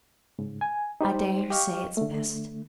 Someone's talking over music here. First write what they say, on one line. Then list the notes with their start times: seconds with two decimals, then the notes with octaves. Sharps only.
I dare say it's best.
0.39 G#2 C#3
0.61 G#5
1.01 D#4 G4 C5
1.50 G4 D#5 F5 C#6 F6
1.97 D3 A3